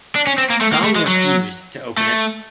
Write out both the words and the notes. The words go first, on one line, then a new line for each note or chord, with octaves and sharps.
Tom refused to open it.
D4
C#4
C4
A#3
A3
A#3
A3
G#3
F#3
A3